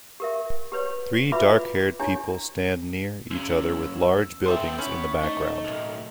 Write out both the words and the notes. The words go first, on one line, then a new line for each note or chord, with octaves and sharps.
Three darkhaired people stand near each other with large buildings in the background.
G4 A#4 E5
G4 B4 C#5
F4 F#4 B4 E5 B5 D6
D4 E4 G4 C#5 G#5
F#2 C#3 E6
B3 A4 C5 D#5 E5 G5
B3 C#4 E4 C#6
A3 D#4
B1 A2 A#4